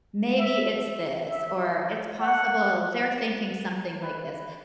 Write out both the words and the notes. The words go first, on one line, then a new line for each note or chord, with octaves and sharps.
maybe it's this, or, it's possible they're thinking something like this,"
E5
E5
F#5
B4